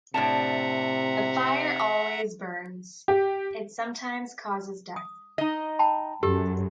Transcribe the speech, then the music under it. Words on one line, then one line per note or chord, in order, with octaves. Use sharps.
The fire always burns, it sometimes causes death.
A2 C3 D4 E5 F#5 A5 A#5
G4
D#6
D#4 D#5
G5 A5 B5
F#2 G4 A4